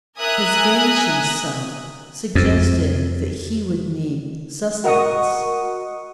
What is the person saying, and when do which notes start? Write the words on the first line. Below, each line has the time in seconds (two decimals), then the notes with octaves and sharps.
His vanishing sum suggested that he would need sustenance.
0.18 A#4 E5 G#5 D#6 F#6
2.35 F2
4.84 F#4 A#4 D#5 F#5 C#6 D#6